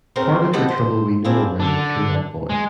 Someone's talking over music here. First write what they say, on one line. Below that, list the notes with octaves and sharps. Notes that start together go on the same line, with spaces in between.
Part of your trouble we know already through that boy.
A2 C#3 C4 A#4 C5
G3 A4 D#5 F#5
C5
C4 D4 E4 F4 G#4
D3 D4
G#3